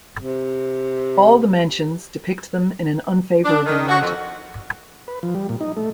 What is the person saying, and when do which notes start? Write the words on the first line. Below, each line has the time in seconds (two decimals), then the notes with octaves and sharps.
All the mentions depict them in an unfavourable light.
0.19 C3
3.45 D4
3.66 D#3
3.89 F#4
4.02 F2
5.08 B4
5.23 F3
5.35 G3
5.49 A#2
5.61 D#4
5.77 A3